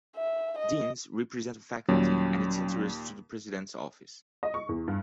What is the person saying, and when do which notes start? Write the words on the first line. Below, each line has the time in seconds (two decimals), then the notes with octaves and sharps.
Deans represent a faculty and its interests to the president's office.
0.16 E5
0.58 D#5
1.89 D#2 A#2 F#3 G3 C#4
4.43 D#5
4.54 C#6
4.69 E2
4.88 G2